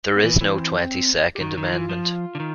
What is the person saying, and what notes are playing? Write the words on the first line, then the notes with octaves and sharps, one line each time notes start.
There is no Twenty-second Amendment.
B3
E3
E3 C4
G4
D#3 F#4
D#3
F4
E3
F3
D3
D#3